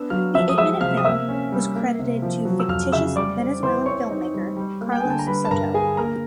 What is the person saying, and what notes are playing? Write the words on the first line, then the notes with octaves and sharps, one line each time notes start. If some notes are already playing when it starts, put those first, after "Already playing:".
The eight-minute film was credited to fictitious Venezuelan filmmaker Carlos Soto.
Already playing: B3 D4 E6
F#3 F5 F6
F3 E5 E6
D#6
G#3 E5 E6
C3 F5 F6
D#6
A#3 E5 E6
C#4
G3
A#3
C3
F3
F#3
E6
F2 F5 F6
C#3 E5 E6
G3 D5 D6
C4
E3 C5 C6
C4 C#5 C#6
D#4
G3
G3
A#3
G5
D3 G#5
A5
A#5
G3 B4 B5
A5
G2 A#4 A#5
D3 G#4 G#5
A#3 A#4 A#5